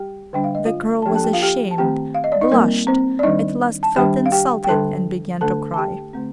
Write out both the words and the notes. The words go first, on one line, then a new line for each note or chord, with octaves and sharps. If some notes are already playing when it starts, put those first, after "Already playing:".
The girl was ashamed, blushed, at last felt insulted, and began to cry.
Already playing: G3 G4 G5
D3 G3 D4 G5
F5
D#5
F4 F5
A5
F3 A#3 D4 G4 G5
A4 A5
G4 G5
F4 F5
G4 G5
A5
D#3 A3 C4 G4 G5
F5
D#5
D5
D#4 D#5
G3 A#3 C4 A#4
C4 C5
D5
D#3 G3 D4 D#4 D#5
A5
D#3 G3 D4 G4 G5
F5
G4 G5
G5
D3 G3 D4 A4 A5
D3 A3 D4 A4 A5
A5
G4 G5
D3 A3 C4